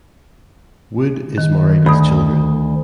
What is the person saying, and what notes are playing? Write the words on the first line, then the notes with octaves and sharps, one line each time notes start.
Wood is married with children.
D#3
D2 B5 D#6